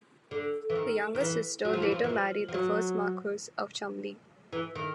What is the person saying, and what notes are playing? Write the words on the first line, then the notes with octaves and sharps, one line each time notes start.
The younger sister later married the first Marquess of Cholmondeley.
D3
E3
D#3
D#3
E3
F#3
F3
E3
F3
E3
F3
F3
F#3
E3
D#3